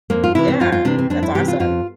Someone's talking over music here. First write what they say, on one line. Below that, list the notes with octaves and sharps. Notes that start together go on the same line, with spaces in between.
Yeah, that's awesome.
F2 A#3
F4
C3 E3 E4
C4
F2 F4
F4
C3 E3 D4
C4
F2 D4
E4
C3 E3 G4
F4
F2 F4